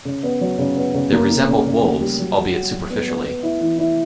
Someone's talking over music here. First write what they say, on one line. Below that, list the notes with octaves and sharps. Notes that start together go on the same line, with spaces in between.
They resembled wolves, albeit superficially.
C#3
B3
F#3
C#3
B3
C#3
A#3
A#3
C#3
C#3
A#3
G3
F#3
F#4
F#4
F#3
B3
B3
B3
E4
E3
E4